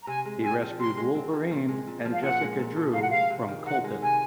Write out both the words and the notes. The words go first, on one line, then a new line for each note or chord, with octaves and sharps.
He rescued Wolverine and Jessica Drew from cultists.
A#5
C3 G#5
G#3
C4 G#5
F3
C3 C6
G#3
C4
F3
A#2
G#3
A#2
F3
F5
A#2 F#5
G#3
A#2
F3
C3 F5
F#5
G#3 F5
C3
D#3
C3 F#5
G#3
C3 G#5